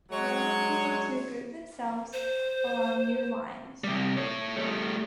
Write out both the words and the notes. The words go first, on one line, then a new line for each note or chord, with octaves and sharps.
Men began to group themselves along new lines.
F#3 G#3 C#5
C5
C3 G3
A4 C#5
G3 A3